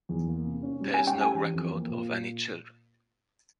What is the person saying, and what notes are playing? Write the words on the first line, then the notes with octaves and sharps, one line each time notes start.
There is no record of any children.
E2
A#3
C3
C#4
G3
G#5
C#4
G5
G4 G#5
E3
F2
A#3
A#2